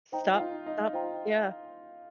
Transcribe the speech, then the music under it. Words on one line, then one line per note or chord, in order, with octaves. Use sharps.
Stop stop yeah.
D#4 C5 G5 A#5
F4
D#4
D#4
F4 C5 G5 A#5